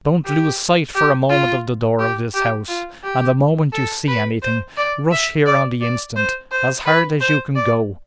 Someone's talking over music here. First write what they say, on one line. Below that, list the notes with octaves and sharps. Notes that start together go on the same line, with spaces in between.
Don't lose sight for a moment of the door of this house, and the moment you see anything, rush here on the instant! as hard as you can go!
G4
G4
F4
G4
G4
F4
G4
A4
B4
C5
D5
E5
D5
D5
C5
C5
B4
C5
D5